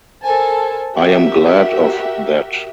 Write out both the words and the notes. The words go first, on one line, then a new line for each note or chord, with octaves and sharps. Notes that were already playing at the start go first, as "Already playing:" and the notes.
I am glad of that!
A4 A#4 C5 G#5 A5
F#4 G4 A#4 E5